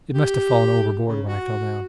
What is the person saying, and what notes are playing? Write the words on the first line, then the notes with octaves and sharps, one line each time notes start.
It must have fallen overboard when I fell down.
G4
C#3
F#4